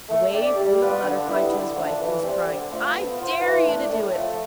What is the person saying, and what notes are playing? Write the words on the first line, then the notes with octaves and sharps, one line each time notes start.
Away flew the Butterfly to his wife, who was crying, 'I dare you to do it!
A3
D4 G4 D5
G3
B3 F4 B4 D5
D3
G3 B3 E4
D3
F3 A3 D4
E3
G3 C4
D3
A3 C4 F4
B3
F4 C5
E3
A3 D4
A2
F3 A3